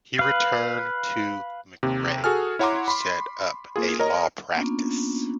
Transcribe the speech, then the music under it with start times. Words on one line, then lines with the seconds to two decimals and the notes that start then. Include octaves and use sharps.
He returned to McRae to set up a law practice.
0.19 B4 F5
1.83 D#2 C3
2.24 F#4 G#4 A4 G#5 F6
2.59 E4 C#5 F#5 A#5 C6 D6
2.88 B5 C6
3.76 A#3 F4 G#4
3.99 A#4 C#5 D#5 A#5
4.54 A#3 B3 C#4 D4 F4